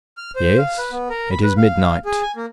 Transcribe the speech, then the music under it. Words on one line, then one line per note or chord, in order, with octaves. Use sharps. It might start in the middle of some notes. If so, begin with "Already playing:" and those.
"Yes, it is midnight."
F6
C5
F5
B4
B3
A#4
B5
B4
F5
G#4
G#5
A#3